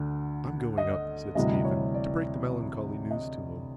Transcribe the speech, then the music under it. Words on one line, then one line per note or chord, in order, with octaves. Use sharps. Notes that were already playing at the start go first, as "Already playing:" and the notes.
"I'm going up," said Stephen, "to break the melancholy news to him."
Already playing: D2 D3
D#5
D2 C3 E3 G3 D#5
C#5
D5
D#5